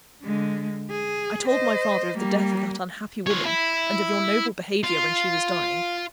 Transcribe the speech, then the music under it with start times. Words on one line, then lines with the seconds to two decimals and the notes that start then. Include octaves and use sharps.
I told my father of the death of that unhappy woman, and of your noble behaviour when she was dying.
0.23 D3 G#3
0.90 G#4
1.48 C5 D#5
2.17 G3 A#3
3.27 F4 C#5
3.46 E4
4.84 F4